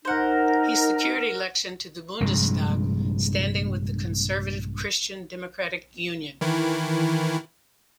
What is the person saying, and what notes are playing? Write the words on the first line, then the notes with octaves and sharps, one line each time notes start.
He secured election to the Bundestag standing with the conservative Christian Democratic Union.
D#4 A#4 C5 F#5
A#1 G2 C3 G#3
D#3 E3 E4